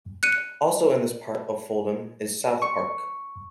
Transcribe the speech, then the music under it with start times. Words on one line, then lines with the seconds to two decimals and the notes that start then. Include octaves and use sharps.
Also in this part of Fulham is South Park.
0.23 F#6 C#7 D#7
2.62 C#6